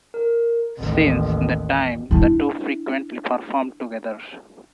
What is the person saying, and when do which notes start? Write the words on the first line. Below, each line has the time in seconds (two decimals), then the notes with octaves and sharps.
Since that time the two frequently performed together.
0.14 A#4
0.78 A1 D#2
2.11 D4 E4